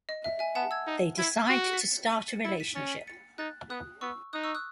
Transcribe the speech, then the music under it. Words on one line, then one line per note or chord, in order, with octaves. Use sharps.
They decide to start a relationship.
D#5
E5
E5 G#5
B3 F#5 A5
E6 G#6
D#4
E4 G#6 B6
F#4
B6
A6 C#7
B6 D#7
A6 C#7
E4 A6 C#7
B6 D#7
C#4 A6 C#7
B6 D#7
A6 C#7
D#4 F#6 A6
B3 D#6 F#6
B3 C#6 E6
D#4 D#6 F#6
C#6 E6
D#6 F#6